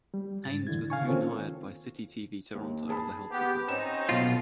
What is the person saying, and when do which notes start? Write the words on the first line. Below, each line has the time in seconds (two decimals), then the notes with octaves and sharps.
Haines was soon hired by Citytv Toronto as a health reporter.
0.14 G3
0.44 G#2 A6
0.67 F2 A2 D3 E3 E4 G#6
0.90 C#3 F5 G#5 C#6
1.07 D#3 A#3 C4 C#4 F4 A4
2.55 D#2
2.89 G#4 A5 B5
3.31 B3 G4
3.68 C4 C#4 D#4 E7
4.09 B1 B2 F4 A6